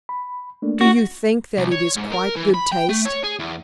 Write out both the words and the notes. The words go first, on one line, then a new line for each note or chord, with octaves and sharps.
"Do you think that it is quite good taste?"
B5
A3 A#3 D4
C#4 E4 F#4
C2
C#5
G#2
A#4
E3
B5
G5
A3
C#5
G#4
E2